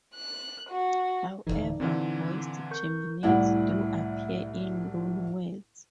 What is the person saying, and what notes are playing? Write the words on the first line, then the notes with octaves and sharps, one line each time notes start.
However, voiced geminates do appear in loanwords.
F#6
F#4
D1 G#1 E3 D#4 A4 D5
A#2 D3 E3 C4
A#4 C#6 G6
C2 A2 E4 D5 F#5